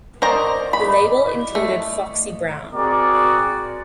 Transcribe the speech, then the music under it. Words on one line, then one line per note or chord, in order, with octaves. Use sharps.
The label included Foxy Brown.
A#4 C5 D5 D#5 A#5 C#6
B5
A3
C4 F#4 G#4 A#4 D5